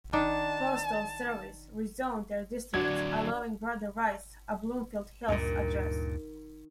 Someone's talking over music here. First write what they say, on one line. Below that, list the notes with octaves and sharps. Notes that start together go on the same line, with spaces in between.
Postal Service rezoned their districts allowing Brother Rice a "Bloomfield Hills" address.
D#3 D4 A5
D3 F#3 D4 F#4 D5 G#6
D2 G2 A#2 D#3 D#4 A#4